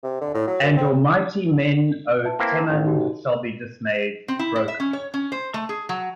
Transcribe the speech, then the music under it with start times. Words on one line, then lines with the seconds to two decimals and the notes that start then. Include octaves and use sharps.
And your mighty men, O Teman, shall be dismayed - broken.
0.04 C3
0.21 D3
0.34 A2
0.47 F#3
0.62 F#2
0.77 C4
2.24 B4 E5 A5
2.39 A#3 C4 E4
2.70 A1
2.85 D#4 F#4 G4
4.28 C4
4.39 E4
4.56 E4
4.68 E5
4.80 C#4
4.93 C#5
5.14 C#4
5.32 C5
5.54 A3
5.69 G#4
5.89 F#3